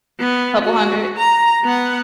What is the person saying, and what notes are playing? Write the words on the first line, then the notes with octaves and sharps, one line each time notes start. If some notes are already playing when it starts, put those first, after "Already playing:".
couple hundred.
B3
F#4
A#5
B3 F#5